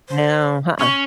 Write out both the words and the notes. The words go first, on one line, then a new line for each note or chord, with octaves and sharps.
No, uh-uh.
C5
C#4 C#6